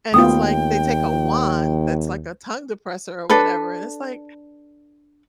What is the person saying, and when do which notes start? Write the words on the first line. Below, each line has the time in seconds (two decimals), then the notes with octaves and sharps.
And it's, like, take a wand that's, like, a tongue depressor or whatever, and it's, like,
0.14 D#2 A3 B3 F4 G5 D#6
3.30 D4 A4 B4